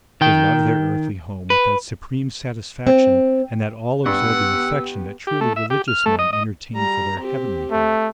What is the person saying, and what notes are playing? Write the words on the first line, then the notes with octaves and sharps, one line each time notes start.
They love their earthly home with that supreme satisfaction and that all-absorbing affection that truly religious men entertain for their heavenly home.
D#3 G5
B4
C4
G2 B3 G4 F#5 E6
G4
A3
E5
G4
F6
A3
D#5
D#5
G3 A#5
C4 G4
A3